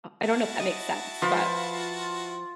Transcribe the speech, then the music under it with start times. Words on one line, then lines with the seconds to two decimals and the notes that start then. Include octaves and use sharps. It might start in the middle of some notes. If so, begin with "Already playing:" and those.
uh, I don't know if that makes sense, but
0.23 E4 F#4 A5
0.60 D#5
1.22 F3 F4 B4 C5